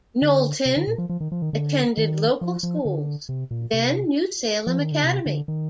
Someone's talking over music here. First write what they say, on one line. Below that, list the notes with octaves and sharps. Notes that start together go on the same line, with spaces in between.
Knowlton attended local schools, then New Salem Academy.
D3
C3
D3
A#2
F3
F3
D#3
F3
D#3
D3
D#3
F3
F3
D3
C3
A#2
C3
F3
D#3
D3
C3
D3
D#3